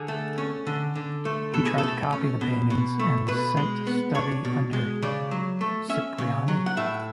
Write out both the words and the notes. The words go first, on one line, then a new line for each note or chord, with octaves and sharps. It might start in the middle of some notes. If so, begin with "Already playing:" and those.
He tried to copy the paintings, and was sent to study under Cipriani.
Already playing: D3 G#4
A3
C#4
D3
D3
A3
B2 A4
G#4
A4
A3
C#4
B2
B2
A3
B2 B4
G#3
B3
D4 C#5
B2
G#3
C#3 D5
F#3
A3
C#4 E5
C#3
F#3
F#5
A2 E5